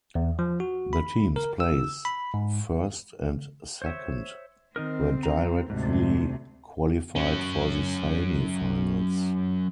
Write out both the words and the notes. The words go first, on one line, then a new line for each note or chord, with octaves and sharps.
The teams place first and second were directly qualified for the semi finals.
E2
F3
F#4
B5
A#4
E6
B5
G#2
C5 C#5 E5
D#3 C4 D#4 A#4
A#5
D2 G#2 C3
F#3 C#4